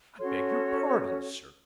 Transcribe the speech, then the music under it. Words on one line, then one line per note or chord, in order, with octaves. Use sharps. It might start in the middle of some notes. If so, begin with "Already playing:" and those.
I beg your pardon, Sir.
C#4 F#4 A4 C#5 C6